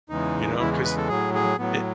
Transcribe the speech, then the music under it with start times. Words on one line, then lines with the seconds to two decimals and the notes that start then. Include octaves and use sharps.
you know, 'cause n it
0.09 E2 C#3 E3 G#3 D#4
0.58 E2 C#3 E3 G#3 E4
0.72 C#4
0.84 B4
0.97 A4
1.09 A2 F#3 G#4
1.34 G#4
1.58 A2 F#3 B3